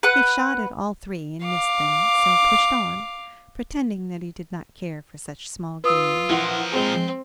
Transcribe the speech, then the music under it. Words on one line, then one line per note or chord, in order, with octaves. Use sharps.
He shot at all three and missed them, so pushed on, pretending that he did not care for such small game.
B4 F#5
F5 D6
F4 B4 D#6 E6
E3 F3 A#4 F#5 C6
G#3 C4 G#4